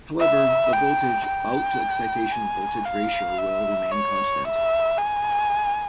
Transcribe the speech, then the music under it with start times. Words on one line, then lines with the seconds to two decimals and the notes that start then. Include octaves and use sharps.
However, the voltage out to excitation voltage ratio will remain constant.
0.20 E5
0.73 G5
1.26 G5
2.32 G#5
2.85 F5
3.38 E5
3.91 C#5
4.45 E5
4.98 G#5